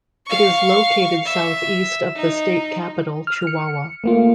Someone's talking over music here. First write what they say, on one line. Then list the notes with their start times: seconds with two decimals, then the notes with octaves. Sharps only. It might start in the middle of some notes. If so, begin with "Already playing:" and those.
It is located southeast of the state capital, Chihuahua.
0.27 F5 C#6
1.25 E5
2.16 D#4
3.27 F6
3.47 C#7
4.04 A3 A#3 F4